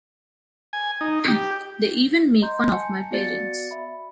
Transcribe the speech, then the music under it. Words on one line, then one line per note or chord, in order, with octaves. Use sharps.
They even make fun of my parents.
G#5
D#4
G4
D#5 A#5 C6 G6
G#5 A5 C#7
B3 F#4 D5 A6 C#7
E5 B5